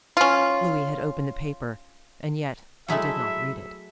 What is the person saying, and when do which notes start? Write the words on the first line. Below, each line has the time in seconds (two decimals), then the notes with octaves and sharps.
Louis had opened the paper, and yet he did not read it.
0.17 C#4 F4
2.88 F#3 G#3 A3 E4 A4 E5